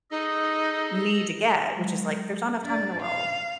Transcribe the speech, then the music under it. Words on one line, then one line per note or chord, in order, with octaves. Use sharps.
need to get, which is, like, there's not enough time in the world.
D#4 G#4 A4 D#5
F#3 G#3
D4 D5
F5